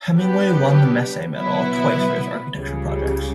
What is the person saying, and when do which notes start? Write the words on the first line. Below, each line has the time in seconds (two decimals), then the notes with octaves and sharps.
Hemingway won the Massey medal twice for his architecture projects.
0.12 F#3 B3 D4 G4 B4
1.33 B2 F#3 B3 E4 B4
2.55 C#2 C#3 G3